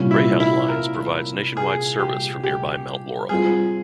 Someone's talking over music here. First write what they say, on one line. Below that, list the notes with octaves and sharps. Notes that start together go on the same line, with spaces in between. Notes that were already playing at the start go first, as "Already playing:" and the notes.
Greyhound Lines provides nationwide service from nearby Mount Laurel.
Already playing: C2 A#2 G3 C#4
E4
E4
A#4
G#4
G4
G4
G3 C4 F4 G#4